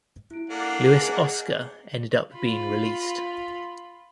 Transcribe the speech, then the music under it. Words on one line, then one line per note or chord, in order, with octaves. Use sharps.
Luis Oscar ended up being released.
E4 D7
A#3 D4 A4 F#5 D6
G#4 B4 G#5
D#5
F4 B5